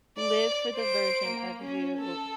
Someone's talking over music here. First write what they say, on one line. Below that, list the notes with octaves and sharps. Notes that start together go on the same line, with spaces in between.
"Live for the version of you
D5
C5 D7
A#3
C#4
A4